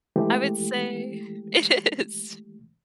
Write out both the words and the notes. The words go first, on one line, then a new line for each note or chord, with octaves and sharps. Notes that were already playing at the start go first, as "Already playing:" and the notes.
I would say it is
E3 G#3 A3 G4